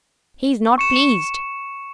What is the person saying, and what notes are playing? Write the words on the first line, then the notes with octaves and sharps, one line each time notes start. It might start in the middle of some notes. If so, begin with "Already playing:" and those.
He's not pleased.'
C#6 C#7 E7